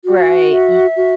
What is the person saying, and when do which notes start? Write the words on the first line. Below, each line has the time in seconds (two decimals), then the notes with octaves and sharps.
Right, ye
0.05 F#4
0.51 E5
0.97 F#4